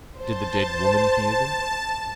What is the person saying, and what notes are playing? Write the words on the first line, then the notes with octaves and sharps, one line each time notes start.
Did the dead woman hear them?
C5 A5